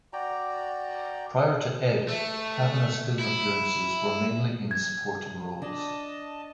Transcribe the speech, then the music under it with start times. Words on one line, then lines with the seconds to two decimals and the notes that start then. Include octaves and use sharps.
Prior to "Ed", Cavanagh's film appearances were mainly in supporting roles.
0.13 F#4 D5 G5 A#5
2.08 A3
3.19 E4
4.71 G#6
5.62 D4 D#5 A5